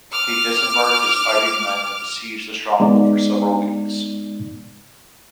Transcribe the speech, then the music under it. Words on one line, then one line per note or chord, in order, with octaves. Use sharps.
He disembarked his fighting men and besieged the stronghold for several weeks.
D6 F6
G#3 B3 D#4 D5